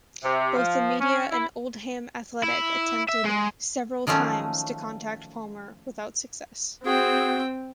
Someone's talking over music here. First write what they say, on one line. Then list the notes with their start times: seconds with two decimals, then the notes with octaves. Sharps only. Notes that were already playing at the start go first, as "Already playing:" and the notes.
Both the media and Oldham Athletic attempted several times to contact Palmer without success.
0.24 C3
0.56 F3
1.00 C#4
1.31 E4
2.43 E4
3.09 E5
3.25 G#3
4.07 D#3 F3 F#3 A3 C#4
6.86 C4 F#4 G#4 G5